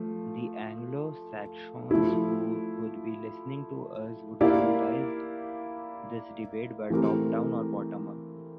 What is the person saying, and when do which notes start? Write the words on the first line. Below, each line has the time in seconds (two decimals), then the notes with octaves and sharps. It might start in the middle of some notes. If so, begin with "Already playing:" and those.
The Anglo-Saxons who would be listening to us would summarized this debate by top down or bottom up.
Already playing: F3 A3
1.91 F3 A3 E4
4.41 A#3 E4 G4 D5 F5
6.90 E3 A3 C4 G4 A#4